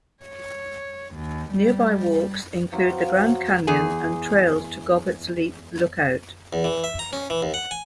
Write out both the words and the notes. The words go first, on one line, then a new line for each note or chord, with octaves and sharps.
Nearby walks include the Grand Canyon and trails to Govetts Leap lookout.
C#5
D#2
G3
F3 F#3 C4 F4
E2 G#4
E2
E3
E5
A#5
C#4
E3
D#2
F#5
G#5